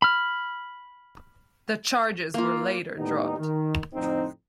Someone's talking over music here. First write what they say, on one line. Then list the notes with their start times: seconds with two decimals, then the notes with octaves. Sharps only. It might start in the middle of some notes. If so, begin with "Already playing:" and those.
The charges were later dropped.
0.02 B5 F6
2.34 A#3 F4
2.98 D#2 A2 G3 B3 D#4
3.38 D#3
3.94 F2 A2 D3 C4 D#4